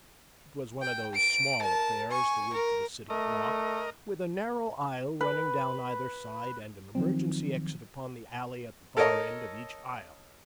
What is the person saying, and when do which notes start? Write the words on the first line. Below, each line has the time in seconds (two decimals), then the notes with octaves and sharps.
It was one of those small affairs, the width of a city block, with a narrow aisle running down either side and an emergency exit upon the alley at the far end of each aisle.
0.82 G5
1.15 D7
1.61 A#4 A5
2.10 G#5 C#6
2.54 A#4
3.10 A3 A#4 D#5
5.21 B4
6.95 D#3 F3 F#3 C4
8.97 A4 A#4 C#5 D#5